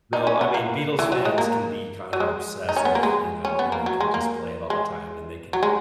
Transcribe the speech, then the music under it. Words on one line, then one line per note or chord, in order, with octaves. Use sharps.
No, I mean, Beatles fans can be, kind of, obsessive, you know, and they can, just, play it all the time, and they can
D#4
C#4
B3
A#3
E3
F#3
G#3
A#3
F#3
G#3
D#4
C#4
B3
A#3
G#3
C#4
B3
A#3
F#3
G#3
A#3
G#3
F#3
G#3